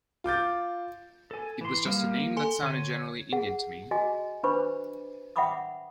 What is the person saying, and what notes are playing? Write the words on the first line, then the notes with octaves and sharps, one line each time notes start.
It was just a name that sounded generally Indian to me.
F4 D6 G6 A6
A4 G#5
E3 C6
G3 A#3 G4 F5
A4 G#5 C6
D3 C#5 D#7
G#4 F#5
F#4 D#5 G#5 D6
D4 B4 C5 B5 C#6 D6
E5 F#5 G5 B5 D6 D#6